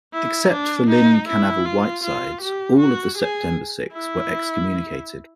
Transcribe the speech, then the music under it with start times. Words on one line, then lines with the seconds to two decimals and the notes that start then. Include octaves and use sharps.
Except for Lynne Kanavel Whitesides, all of the September Six were excommunicated.
0.13 E4
0.51 D4
0.90 D#4
1.28 E4
1.65 F4
2.03 F4
2.41 G4
2.79 F#4
3.18 G#4
3.93 E4